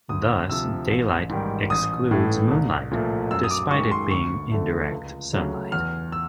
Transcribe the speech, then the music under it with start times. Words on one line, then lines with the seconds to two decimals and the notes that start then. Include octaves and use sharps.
Thus, daylight excludes moonlight, despite it being indirect sunlight.
0.09 D2 D#6
0.49 C3 F3 E6
0.89 A1
1.29 G#2 D#3 G3
1.70 A1 D#6
2.11 A2 E3 A3
2.51 C2
2.91 A#2 F3 A3
3.31 F#2 E6
3.44 D#6
3.51 D6
3.71 D#3 G#3 C#6
3.91 C6
4.11 D2 C#6
4.52 D3 F3 A3
4.92 C#2
5.33 C#3 F#3 A3
5.72 E2 F6
6.12 E6